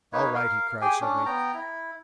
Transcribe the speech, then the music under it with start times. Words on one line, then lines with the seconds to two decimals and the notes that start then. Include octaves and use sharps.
"All right!" he cried suddenly.
0.13 A#3 D#4 B4 C#5
0.35 A#4 F5
0.81 G4 G#4 G5 G#5
1.01 C#4 D4
1.26 B3 G5 A#5
1.54 E4